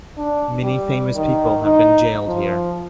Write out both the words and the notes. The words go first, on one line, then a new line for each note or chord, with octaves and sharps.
Many famous people have been jailed here.
D4
G3
D#3
D#4
F3